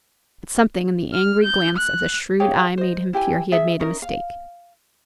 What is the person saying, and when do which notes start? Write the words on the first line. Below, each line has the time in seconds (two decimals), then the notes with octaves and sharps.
But something in the angry glance of the shrewd eye made him fear he had made a mistake.
1.13 F6
1.44 G6
1.77 F#6
2.40 G4 G#4 C#5 F5
2.78 C5 D#5
3.13 E4 G4 G5 G#5
3.52 G#4 E5
3.80 C#4 D#4 A#4
4.02 F5